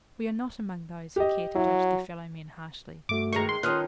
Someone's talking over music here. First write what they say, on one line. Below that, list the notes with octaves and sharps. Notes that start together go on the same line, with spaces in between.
We are not among those who care to judge their fellow-men harshly.
G4 D#5
F#3 E4
G2 A3 F#4 D6
D#3 G#3 A#5 C#6
C6
D#3 F3 C#4 D#6 F6 F#6